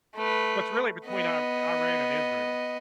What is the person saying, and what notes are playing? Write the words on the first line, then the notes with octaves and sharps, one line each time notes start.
So it's really between Ir Iran and Israel.
A3 B4
B3 D#5